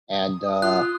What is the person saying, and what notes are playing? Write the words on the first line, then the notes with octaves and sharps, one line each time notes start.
and, uh
D#6
F4 F#6